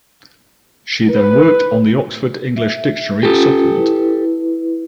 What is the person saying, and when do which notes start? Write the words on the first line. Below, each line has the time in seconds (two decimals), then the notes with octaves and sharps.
She then worked on the Oxford English Dictionary Supplement.
1.10 B4
2.56 E5
3.23 C#4 F4 G4 A4
3.72 E4 B4